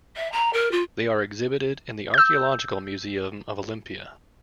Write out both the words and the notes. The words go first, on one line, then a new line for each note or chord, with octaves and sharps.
They are exhibited in the Archaeological Museum of Olympia.
E5
A#5
A#4
F4
E6 G6